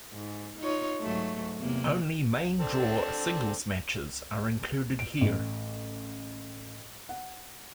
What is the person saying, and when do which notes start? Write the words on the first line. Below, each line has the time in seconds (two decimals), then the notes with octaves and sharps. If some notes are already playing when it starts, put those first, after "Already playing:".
Only main draw singles matches are included here.
0.13 G#2
0.58 D#4 F4 C#5
1.01 G#2 F#3 A3
1.59 E2 C3 A#3
2.60 C4 D4 A4
4.99 D7
5.21 A1
7.09 F#5